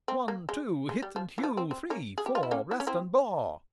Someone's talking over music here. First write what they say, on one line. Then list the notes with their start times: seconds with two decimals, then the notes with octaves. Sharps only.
'One, two, Hit and hew! Three, four, Blast and bore!'
0.08 C4
0.28 A#3
0.49 G#3
0.89 G#3
1.02 G3
1.16 F3
1.38 E3
1.43 F3
1.57 C4
1.71 C4
1.90 A#3 C#4
2.18 G#4
2.26 G4
2.35 F4
2.43 E4
2.51 A#3 C#4
2.71 E4
2.80 C#4
2.87 C4 E4